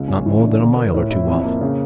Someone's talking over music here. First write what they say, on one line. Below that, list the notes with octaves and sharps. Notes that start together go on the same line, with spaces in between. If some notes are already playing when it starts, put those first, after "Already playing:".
"Not more than a mile or two off."
Already playing: C#2
C#4
E3
D4
D3
A#4
A2
E4
F2
A#3
C#3